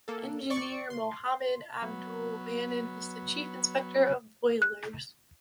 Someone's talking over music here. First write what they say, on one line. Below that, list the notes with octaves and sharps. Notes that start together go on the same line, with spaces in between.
Engineer Mohammad Abdul Mannan is the Chief Inspector Of Boilers.
A#3 A4
D5 C#6 C#7
C6
F#3 B3
F#6